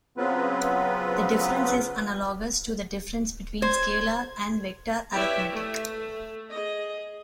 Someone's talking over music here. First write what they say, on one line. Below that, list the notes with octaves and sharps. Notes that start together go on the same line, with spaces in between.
The difference is analogous to the difference between scalar and vector arithmetic.
C#3 F#3 B3 C4 F4 B4
C5 G#6
E4 G4 B4 C#5 D5 E5
A3
G#4 D#5